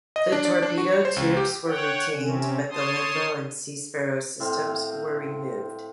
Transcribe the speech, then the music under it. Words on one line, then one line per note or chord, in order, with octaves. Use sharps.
The torpedo tubes were retained, but the Limbo and Sea Sparrow systems were removed.
D#5
D4
D5
D4
F#4
C#5
C5
C#2
G4
C#5 F#5 G5
C3 C4 C#4
C#5 A5 C6 D#6
A2 C4 F5